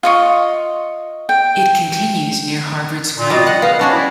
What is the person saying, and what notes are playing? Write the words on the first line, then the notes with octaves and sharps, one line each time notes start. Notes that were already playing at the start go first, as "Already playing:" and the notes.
It continues near Harvard Square.
F4 D#5 C#6
G5
A#2
G3 F4 F#4 D#5
D#5 F#5
C#3 B3 F5
G3 C#4 D4 F#4
E4 D5